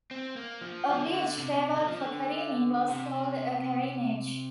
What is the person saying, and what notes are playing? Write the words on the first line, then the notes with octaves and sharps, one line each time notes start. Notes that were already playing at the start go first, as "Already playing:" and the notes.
A beach favoured for careening was called a careenage.
C4
A#3
F3
F3
D3
C3
C3
D3
F3
D3
C3